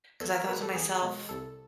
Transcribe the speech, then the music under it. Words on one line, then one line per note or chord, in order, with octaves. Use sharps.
'cause I thought to myself,
E2 A4
A#4
B2 G#3 B4
A4
E2 G#4
B2 G#3
C2 A4